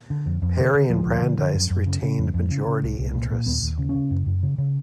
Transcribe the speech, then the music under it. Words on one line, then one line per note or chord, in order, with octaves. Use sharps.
Perry and Brandeis retained majority interests.
D3
F2
F2
D3
D3
D2 F3
D2
D3
D3
F#2
F#2
C#3
C#3
F2
F2
C#3
C#3
C2
C2
A#2
A#2
D#2 B3
D#2
C#3
C#4
C#3
F#2
F#2
C#3
C#3